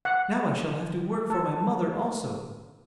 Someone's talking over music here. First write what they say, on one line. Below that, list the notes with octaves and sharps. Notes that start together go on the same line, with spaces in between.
Now I shall have to work for my mother also.
F#5
A4